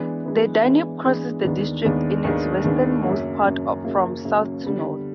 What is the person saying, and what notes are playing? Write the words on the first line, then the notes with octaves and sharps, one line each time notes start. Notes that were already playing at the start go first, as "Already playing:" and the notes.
The Danube crosses the district in its westernmost part from south to north.
Already playing: E3 G#3 B3 D4
E3 G#3 B3 D4
E3 G#3 B3 D4
E3 G#3 B3 D4
D#2 D#3 G#3 B3 D4
D#2 D#3 G#3 B3 D4
D#2 D#3 G#3 B3 D4
D#2 D#3 G#3 B3 D4
F#2 C#3 F#3 A#3
F#2 C#3 F#3 A#3
F#2 C#3 F#3 A#3
F#2 C#3 F#3 A#3
D3 G3 B3